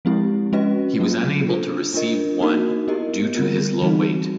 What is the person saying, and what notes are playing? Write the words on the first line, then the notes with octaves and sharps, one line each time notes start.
He was unable to receive one due to his low weight.
F3 G#3 C4 E4 G4
G#3 C#4 F#4 B4 D#5
F#3 A#3 C#4 F4
D4 F4 A4 C5
D4 F4 A#4 D#5
A#3 D#4 F#4 A#4
B3 E4 G4 A#4 D#5
D3 G3 C4 F4 A#4
E3 G3 C4 D#4 F#4